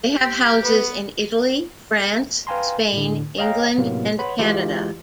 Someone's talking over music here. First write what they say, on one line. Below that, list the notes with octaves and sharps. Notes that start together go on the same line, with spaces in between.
They have houses in Italy, France, Spain, England, and Canada.
G4
B3 B4
B4 F5 G5 G#5 A#5 C6
A2 D3
C#5 D#5 F5 G5 A#5
A2 C3 F#3 A#3 B3
B4 C#5 F#5 B5 C6
E3 G#3 E4 F4 G4